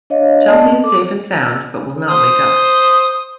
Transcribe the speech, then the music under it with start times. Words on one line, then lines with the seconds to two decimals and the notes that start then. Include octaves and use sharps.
Chelsea is safe and sound, but will not wake up.
0.10 D4 C#5 D#5 F5
0.48 B3 D5 D#5 A5
0.62 C4
0.84 A4 D6
2.09 C5 D#6